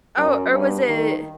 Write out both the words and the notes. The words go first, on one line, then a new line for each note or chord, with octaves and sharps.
oh, or was it
F#2
G2
D#3